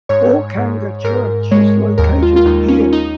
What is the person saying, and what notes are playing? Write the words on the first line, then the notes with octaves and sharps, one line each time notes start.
Orkanger Church is located here.
G#2 C#5
G#2
G#2 A#4
G#3 C#5
D#2 A#4
F4
F4
D#2 D#4
C#4
D#4